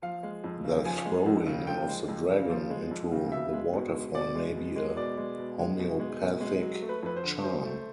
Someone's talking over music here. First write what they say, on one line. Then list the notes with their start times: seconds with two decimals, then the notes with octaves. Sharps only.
The throwing of the dragon into the waterfall may be a homeopathic charm.
0.02 F3 F5
0.23 G#3
0.44 F2
0.64 C#3
0.85 F3 G#5
1.05 G#3
1.26 F2
1.46 C#3
1.67 F3 G5
1.88 G#3
2.08 F2
2.29 C#3
2.50 F3
2.70 G#3
2.91 F2
3.12 C#3
3.32 B2 E5
3.53 G#3
3.73 B2
3.94 G#3
4.14 B2 D5
4.35 G#3
4.55 B2
4.76 G#3
4.97 B2 D5
5.17 G#3
5.38 B2
5.59 G#3
5.79 B2
6.00 G#3
6.21 B2
6.41 G#3
6.62 F#3
6.82 A3
6.89 B4
7.03 F2 B4
7.16 C5
7.23 D3
7.43 F#3 C5
7.64 A3